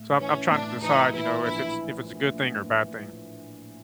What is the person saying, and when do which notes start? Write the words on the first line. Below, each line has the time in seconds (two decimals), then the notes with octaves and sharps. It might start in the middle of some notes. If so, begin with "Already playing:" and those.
So, I'm I'm trying to decide, you know, if it's if it's a good thing, or a bad thing.
Already playing: A2
0.20 E3 C#4
0.51 A2 D4
0.82 E3 D#4
1.14 E3 E4
1.44 A#1 E4